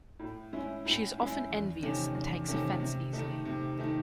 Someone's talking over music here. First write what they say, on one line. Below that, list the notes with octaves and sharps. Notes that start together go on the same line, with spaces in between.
She is often envious and takes offense easily.
A2
G#3 C#4 E4
A2
G#3 C#4 E4
E2
C3 D#3 A3 C#4
E2
C3 D#3 A3 C#4
C3
D#3 A3 D#4
C3
D#3 A3 D#4